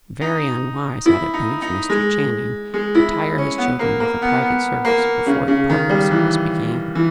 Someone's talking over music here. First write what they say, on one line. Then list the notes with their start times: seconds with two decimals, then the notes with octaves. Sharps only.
Very unwise had it been of Mr. Channing, to tire his children with a private service before the public service began.
0.21 D#4
1.06 E4
1.34 D#4
1.62 D#4
1.90 G#3
2.74 G#3
2.95 E4
3.38 C#4
3.58 B3
3.79 A#3
4.00 A#3
4.22 B3
4.42 B3
4.85 A#3
5.26 C#3
5.48 C#3
5.69 D#3
5.89 G3
6.11 E3
6.95 E3